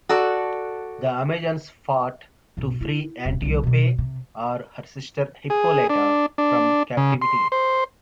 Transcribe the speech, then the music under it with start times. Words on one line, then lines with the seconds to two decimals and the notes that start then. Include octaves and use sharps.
The Amazons fought to free Antiope or her sister Hippolyta from captivity.
0.09 F#4 A4 D5
2.57 B1 G2
2.81 E4
3.25 E1
3.42 C2 F3
3.63 B2 D3
3.98 C3
5.50 G#4
5.90 D4
6.38 D4
6.97 C#3
7.22 C6
7.52 C5